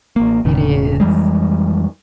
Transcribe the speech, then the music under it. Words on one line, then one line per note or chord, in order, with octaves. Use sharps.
It is,
A1 A#3
E1 A2 C#3
F2 E3 G3 G#3